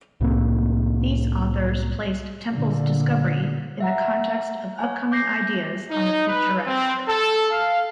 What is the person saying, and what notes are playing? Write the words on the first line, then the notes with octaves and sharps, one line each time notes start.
These authors placed Temple's discovery in the context of upcoming ideas on the picturesque.
C2 A2 A#3 C4
A#2 D3
E5 F#5 A#5
C#5 G#5
D6 G6 A#6 C7
D#4
B4
C4
A4
F5